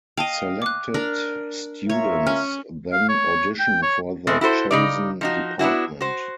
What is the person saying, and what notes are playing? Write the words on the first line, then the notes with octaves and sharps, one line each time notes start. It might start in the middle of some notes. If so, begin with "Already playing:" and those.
Selected students then audition for their chosen department.
D#5 F5 G5 A5
D6 F#6
D4 A#4
F4 A#4 C#5 E5
C#4 F6
F5
C#5
G5
C#5
B2 G#3 A3 C4
E4 F#4 A4 C5
C#3 D#4 D5
F3 D#4 F#4
B3 D4 E4 F#4
F#4 C5